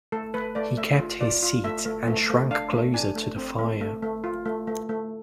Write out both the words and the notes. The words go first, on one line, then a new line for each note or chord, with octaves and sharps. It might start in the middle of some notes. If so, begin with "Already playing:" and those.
He kept his seat, and shrank closer to the fire.
A3 A4
A3 B4
A3 D5
A3 E5
F4
F4 D5
F4
A3 E5
A3
A3
A3
D4 F5
A3
D4 G#5
A3
C4
A3
A3
A3
F4
A3
A3
A3